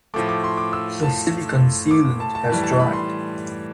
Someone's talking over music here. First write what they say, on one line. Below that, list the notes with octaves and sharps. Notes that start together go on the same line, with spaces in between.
The silicon sealant has dried.
A2 F3 A3 D6
D6
C6
D6
E6
A5
D6
A5
A5
A2 E3 G3 A5
A5
B5
C6